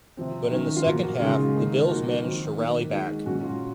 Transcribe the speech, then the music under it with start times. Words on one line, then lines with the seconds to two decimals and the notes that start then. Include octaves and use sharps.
But in the second half, the Bills managed to rally back.
0.17 C3 F3 C4
0.51 D#3 F#3 C#4
0.76 F4
0.86 A#2 F3 A#3 F#4
1.03 F#4
1.19 C#3 G#3 D#4 F4
1.54 D#3 A#3 D#4
1.88 F3 A#3 D#4 F#4
2.06 F#4
2.23 D#3 F#3 C4 D#4
2.57 D#3 A#3 D#4
2.91 D#3 G#3 D#4 F#4
3.26 A#2 F#3 C#4 F#4
3.43 F4